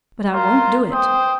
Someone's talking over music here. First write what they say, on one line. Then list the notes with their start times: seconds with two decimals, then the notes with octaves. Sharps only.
But I won't do it!
0.33 F4 A#4 C5
0.92 C5 G5 D#6